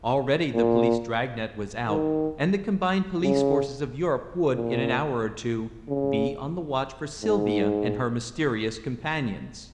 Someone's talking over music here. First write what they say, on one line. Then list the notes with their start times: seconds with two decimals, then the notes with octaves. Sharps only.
Already the police drag-net was out, and the combined police forces of Europe would, in an hour or two, be on the watch for Sylvia and her mysterious companions.
0.54 A#2
1.87 D#3
3.22 C#3
4.55 A#2
5.88 C#3
7.22 G#2